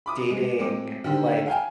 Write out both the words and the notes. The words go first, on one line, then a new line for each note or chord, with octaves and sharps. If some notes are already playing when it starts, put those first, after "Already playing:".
dating, like
B5 D6 D#6
G#3
F#3 G#3 C4 D6
D3 D#3 G4 C5
F5 G5 G#5